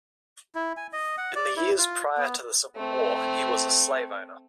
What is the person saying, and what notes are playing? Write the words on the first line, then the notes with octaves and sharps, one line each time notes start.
In the years prior to the Civil War, he was a slaveowner.
E4
G#5
D#5
F#5
D5
E4
F4
B3
A3 C4